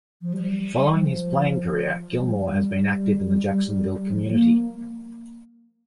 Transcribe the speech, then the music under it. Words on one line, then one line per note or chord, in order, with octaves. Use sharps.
Following his playing career, Gilmore has been active in the Jacksonville community.
F3
G3
G3
F3
G3
F3
G3
A#3